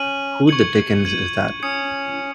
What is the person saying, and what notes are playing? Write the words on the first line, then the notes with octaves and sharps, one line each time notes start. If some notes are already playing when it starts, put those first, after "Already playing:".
Who the dickens is that?
Already playing: C#4 F#6 D#7 F#7
C#6 G#6 C#7 F#7
G#6 D#7 F#7
C#4 D#6 G#6 C#7